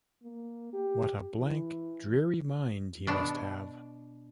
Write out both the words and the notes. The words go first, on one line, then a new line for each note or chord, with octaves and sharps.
What a blank, dreary mind he must have!
A#3
G4
E3
B2 D4